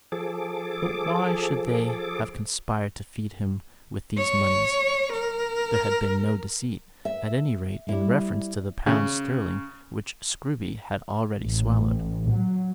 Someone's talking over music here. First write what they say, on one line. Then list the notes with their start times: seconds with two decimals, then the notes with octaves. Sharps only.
But why should they have conspired to feed him with these moneys? There had been no deceit, at any rate, in reference to the pounds sterling which Scruby had already swallowed.
0.12 F3 G#4 A4 D6
4.18 C#5
5.12 A#4
7.05 E5
7.89 G3 E4
8.87 C#3
11.39 A1
12.30 F#3